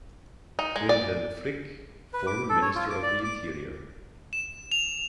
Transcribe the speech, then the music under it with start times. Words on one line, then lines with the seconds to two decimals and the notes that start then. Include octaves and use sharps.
Wilhelm Frick, former Minister of the Interior.
0.59 D#4
0.76 G#3
0.89 D5
2.13 B4
2.27 D6
2.50 A4
2.62 C#5
2.75 F4
2.90 D6
3.03 D5
3.24 D6
4.33 E7
4.72 F7